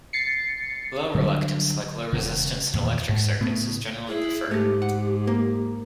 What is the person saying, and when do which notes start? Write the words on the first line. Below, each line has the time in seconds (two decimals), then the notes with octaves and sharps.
Low reluctance, like low resistance in electric circuits, is generally preferred.
0.13 A6 C7 C#7
1.15 D3 F#3 G3
2.13 E1 C#3
2.73 E2 A#2 D#3
3.09 G#2
3.41 A2 C#3 B3
4.08 E4 G#4
4.51 G#2 A3 G4
4.82 F#5
5.27 A#3